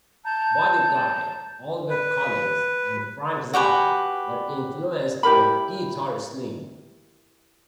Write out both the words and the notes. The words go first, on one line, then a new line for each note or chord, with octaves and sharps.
Buddy Guy, Albert Collins and Frank Zappa were influenced by Guitar Slim.
A5 A#5 G6
B4
F#4 G4 B4 G#5
E4 G4 A#4 B5